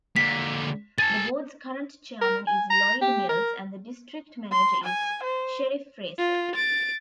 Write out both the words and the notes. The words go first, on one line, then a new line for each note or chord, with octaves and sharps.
The Board's current Chairman is Lloyd Mills, and the District Manager is Sherif Fraser.
D3 A#3 B6
G#4 A5 A6
A#4
G#5
A#5
G4
A#4
C6
G#5
C5
F4
A6 D7